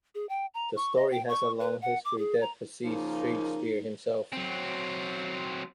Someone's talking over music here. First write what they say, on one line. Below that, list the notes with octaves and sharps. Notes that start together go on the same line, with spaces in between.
The story has a long history that precedes Shakespeare himself.
G#4
G5
A#5
C#6
D#5
G5
C#6
B4
F#5
D6
G#4
A#5
C#3 F3 A#3 D#4
F#3 C4